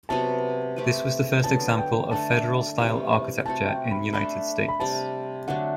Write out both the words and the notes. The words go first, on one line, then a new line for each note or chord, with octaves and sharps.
This was the first example of Federal Style architecture in the United States.
C3 F#3 B3 F#4 A5
A3 C4 G4 B4
D3 F#3 B3 A5
G5
D3 A3 D4 A4 A5
C3 E3 G3
A3 C4 F#4 A5
G5
B5
A3 D4 A4 B5
B5
C3 G3 C4 A5
D3 F#3 A3 D4 F#5